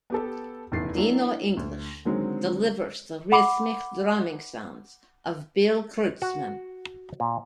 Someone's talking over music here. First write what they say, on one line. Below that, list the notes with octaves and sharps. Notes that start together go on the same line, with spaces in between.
Dino English delivers the rhythmic drumming sounds of Bill Kreutzmann.
B3 G4 A4
F1 E2 E4 A6 C7
F#3 A#3 D4 E4 F#4
D2
D3 D#3 F#3 G#3 C4
F#5 B5 D6
F#4
A#2